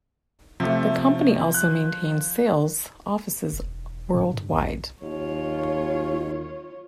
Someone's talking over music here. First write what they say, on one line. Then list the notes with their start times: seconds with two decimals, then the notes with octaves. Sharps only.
The company also maintains sales offices worldwide.
0.60 C3 F3 A3
1.54 F#6
3.53 E1
4.14 G#2
4.33 G2
4.53 A#1
5.02 D#2 F4 C#5